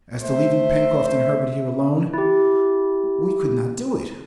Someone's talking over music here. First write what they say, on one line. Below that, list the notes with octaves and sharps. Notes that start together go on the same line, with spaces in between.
As to leaving Pencroft and Herbert here alone, we could not do it!
A3 C5 E5
E4 G4